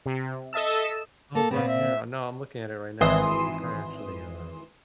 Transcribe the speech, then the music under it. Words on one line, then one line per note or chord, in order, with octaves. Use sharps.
Oh, Black Mirror. No, I'm looking at it right now, I think I actually, uh,
C3
A4 D#5 E5 A5 E6
A#3 A4
A#2 B3 C4
E5
G#1 E3 C6 D#6 E7